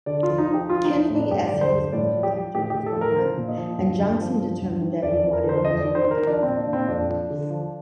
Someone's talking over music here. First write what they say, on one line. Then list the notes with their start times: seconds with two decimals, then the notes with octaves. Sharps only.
Kennedy as Hilsman's protector was gone, and Johnson determined that he wanted Hilsman out.
0.06 D3 D5
0.23 F4
0.28 F3
0.38 D#4
0.49 F3 G4
0.69 F3 F4
0.85 D#4
0.90 F3
1.00 D#4
1.10 A2
1.16 D4
1.31 G2 G4
1.46 D5
1.52 D3
1.61 C5
1.72 G2
1.92 A2 D5
2.14 F3
2.23 G4
2.34 F3
2.55 A2 G4
2.70 A2 G4
2.86 A4
2.96 A2
3.01 A#4
3.16 F3 C5
3.38 A#2
3.48 D#5
3.58 F3
3.78 G2
4.00 G2
4.20 F3
4.41 G2
4.62 G2
4.82 D#3
5.02 F2 D5
5.18 D5
5.24 F2
5.33 A#4
5.44 D3
5.49 C5
5.65 F2 D#5
5.80 D#3 D5
5.95 C5
6.06 D#3 A#4
6.27 F3 D4
6.43 A#2 C4
6.57 D4
6.67 A#2
6.73 C4
6.88 F2 D4
7.10 F3
7.30 D3
7.50 F3